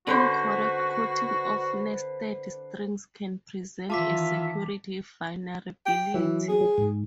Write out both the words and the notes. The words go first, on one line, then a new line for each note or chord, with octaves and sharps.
Incorrect quoting of nested strings can present a security vulnerability.
D3 F#4 B4 C5
D#3 E3 F4 E5 A5 D6 B6
G5
E3 F#3
G#4
G#2